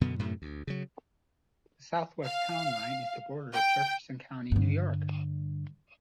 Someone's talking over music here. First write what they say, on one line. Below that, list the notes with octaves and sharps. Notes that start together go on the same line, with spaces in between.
The southwest town line is the border of Jefferson County, New York.
F#2 B2 D3 B3
F#2 A2 C3 A3
D2
C#3 F#3
F5
G5
G2 D3